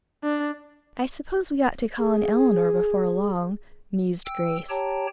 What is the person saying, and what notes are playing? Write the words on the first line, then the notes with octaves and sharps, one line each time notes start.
"I suppose we ought to call on Eleanor before long," mused Grace.
D4
G#4
G5 E6
G4 C#5 G5 A5 A#5